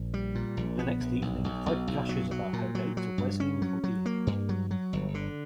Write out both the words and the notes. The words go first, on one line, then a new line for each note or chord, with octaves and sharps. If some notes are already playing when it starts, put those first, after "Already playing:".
The next evening, Fred gushes about her date to Wesley and Cordelia.
Already playing: A#1
G3
A#2
A#1
B3
A#1
B1
B1
B1
B1
F#3
F#3
A#2
F#3
F#3
G2
C#4
F#3
F#3
A#3
G2
F#3
F#3
G1
D3